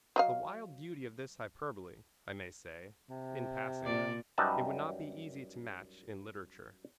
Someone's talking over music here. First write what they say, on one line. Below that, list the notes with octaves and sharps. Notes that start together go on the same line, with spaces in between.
The wild beauty of this hyperbole, I may say, in passing, it would not be easy to match in literature.
F#3 D#5 F5
C3
A#2 D5
F#2 G3 D#4 B4 E5 A5